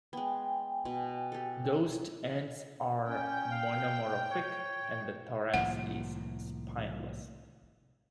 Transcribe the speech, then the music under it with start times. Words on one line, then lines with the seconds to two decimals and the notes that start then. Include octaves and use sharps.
Ghost ants are monomorphic and the thorax is spineless.
0.13 G#3 B3 G5 G#5
0.85 B2
1.32 G4 A4
3.07 C#4 G5
3.51 F5
4.30 C#5
5.54 C2 A2 D#3 F3 A#3 F#5